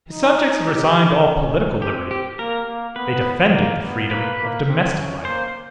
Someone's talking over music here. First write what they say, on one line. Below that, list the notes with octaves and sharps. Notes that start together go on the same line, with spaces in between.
His subjects had resigned all political liberty; they defended the freedom of domestic life.
D#4
G4
C#4
C4 G4
G4
A#3 A#4
A#3
B3 B4
A#3
B3
A#3 B4
A#3
C4
C#4
A#3 C5